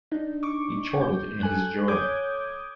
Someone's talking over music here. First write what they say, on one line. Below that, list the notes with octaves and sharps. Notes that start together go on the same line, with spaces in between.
He chortled in his joy.
D4 D#4
C#6 D6
G6
A4 G#5 F#6
C#5 D6 D#6 G6 G#6